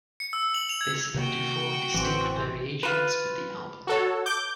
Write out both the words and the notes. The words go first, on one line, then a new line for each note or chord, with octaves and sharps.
This led to four distinct variations of the album.
C#7
E6
F#7
F7
G#6
C3 D#3 A#3 F#4 G5
A1 E3 C4
F4 B4
F#4 A4 C#5
D6 G6